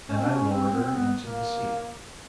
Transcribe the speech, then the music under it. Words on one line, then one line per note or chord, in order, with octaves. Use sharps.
Then I lowered her into the sea.
C#4
C4
D4
C#4
C4
C4
B3
C4
B3
A#3